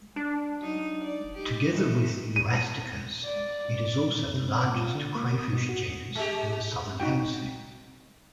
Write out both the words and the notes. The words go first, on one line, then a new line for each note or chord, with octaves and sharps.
Together with "Euastacus", it is also the largest crayfish genus in the Southern Hemisphere.
D4
F#3 D#4
D5
D#4 G4
D#3 E3 A4
D#7
D5
C3
C4
D6
F4
D3
A#3
D#6
B2
F#4
G#3 G4
D#4 F#4 G5